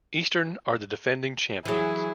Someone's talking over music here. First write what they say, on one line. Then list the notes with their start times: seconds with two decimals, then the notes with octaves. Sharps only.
Eastern are the defending champions.
1.65 E3 F#3 E4 G#4